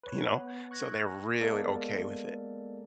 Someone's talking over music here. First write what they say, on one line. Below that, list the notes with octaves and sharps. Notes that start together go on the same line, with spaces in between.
you know? So they're really okay with it;
B4 C#5
B3
C#6 F#6 G#6 A#6
G#3 A#3 B3 A4 A#4 D5